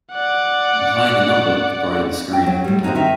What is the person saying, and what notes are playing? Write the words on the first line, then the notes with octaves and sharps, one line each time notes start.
The higher the number, the brighter the screen.
D5 F#5
G5
F#3
A2 G3
A#3 C4 C#4 D#4 F#4
D#3 D#4 E5